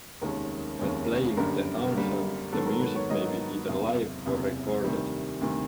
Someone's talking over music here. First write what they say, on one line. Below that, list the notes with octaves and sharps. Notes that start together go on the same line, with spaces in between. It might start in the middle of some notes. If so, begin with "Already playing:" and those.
When playing the anthem, the music may be either live or recorded.
F1 D#2 D#3 G#3 C#4 A#4
F1 D#2 D#3 G#3 C#4
G1 F#2 D3 G3 A#3 A#4
G1 F#2 D3 G3 A#3
G#2 D#3 F#3 B3 A4
A#4
B4
C#5
G#2 D#3 F#3 B3 D#5
F#1 E2 C3
F#1 E2 C3
D2 C3 D#3 G3
D2 C3 D#3 G3